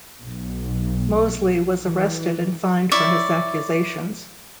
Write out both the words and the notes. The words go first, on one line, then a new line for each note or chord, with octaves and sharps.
Moseley was arrested and fined for his accusations.
B1
E3
E4 C#5 D5 E5